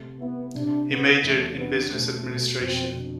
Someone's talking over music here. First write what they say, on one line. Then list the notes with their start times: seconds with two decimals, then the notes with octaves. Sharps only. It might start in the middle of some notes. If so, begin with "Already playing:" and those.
He majored in business administration.
Already playing: C3 A3
0.20 B3 E4
0.55 C3 D4
0.90 C3 B3
1.23 E2 A3
1.57 D3 B3
1.92 B2 A3
2.26 B2
2.61 F2 C4
2.95 D3